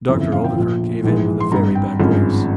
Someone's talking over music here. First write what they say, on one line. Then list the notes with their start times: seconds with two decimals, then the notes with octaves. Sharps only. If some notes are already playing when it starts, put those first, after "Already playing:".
Dr. Oldacre gave in with a very bad grace.
0.08 G1 F2 C#3 E3 C5
0.21 E5
0.32 F5
0.44 G5
0.56 A#1 A#2 F3
1.04 A#1 G#2 E3 G#3
1.40 C6
1.52 G#1 G2 G3 A#5
1.75 G5
2.00 G#1 G2 F3 G#3 C#4